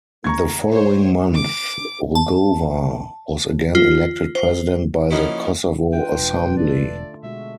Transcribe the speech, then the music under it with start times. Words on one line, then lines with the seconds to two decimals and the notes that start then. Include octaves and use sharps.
The following month, Rugova was again elected President by the Kosovo Assembly.
0.24 A#5 C#6 G#6
0.70 C5 C#5
1.35 D6
2.15 A5
3.75 F4
4.35 C5
5.11 F3 A#3 C#4 D#4 E4 F#4
5.93 D4 F4 B4 G5
6.19 E1
6.57 D3 A3 A4 D5
7.23 B2 G#3 F#4 E5